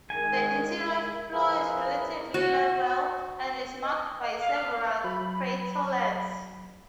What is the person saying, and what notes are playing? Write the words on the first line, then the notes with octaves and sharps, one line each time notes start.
The interior floor is relatively level, and is marked by several craterlets.
D#3 G#3 G#5
F3 E4 F4 G#4 A#4 B4
F#4
D#5
F5
F#3 B5